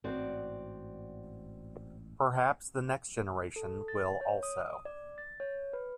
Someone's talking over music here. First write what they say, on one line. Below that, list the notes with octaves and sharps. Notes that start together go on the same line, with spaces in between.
Perhaps the next generation will also.
A1 G#2 C4 F#4 D5
A4
A6
C#5
D#6
D5
A6
C#5
B4